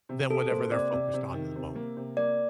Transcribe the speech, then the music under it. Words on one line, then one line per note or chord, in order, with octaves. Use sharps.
than whatever they're focused on in the moment.
C3
C3 A4
A#3 C5
C3 D5
C3
C3
D#3
C3
A#3
C3
A#3 D5